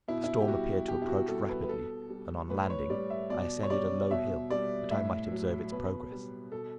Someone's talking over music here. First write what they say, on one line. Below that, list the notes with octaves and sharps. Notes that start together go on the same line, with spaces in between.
The storm appeared to approach rapidly, and, on landing, I ascended a low hill, that I might observe its progress.
B2 E4
E4
G4
G3 F#4
B2 G4
E4
F#4
G3 A4
B4
B4
B2 A4
G3
A2 B4
C#5
G3 D5
E5
B2 D5
C#5
G3 D5
B2 E5
G3 D5
A2 E5
F#3
B2 B4
G3
B2 A4